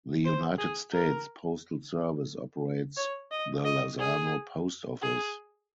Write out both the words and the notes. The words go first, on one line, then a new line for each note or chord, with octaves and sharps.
The United States Postal Service operates the Lozano Post Office.
C5
G#4
A#4
C#5
D#5
D#5
G#4
G#4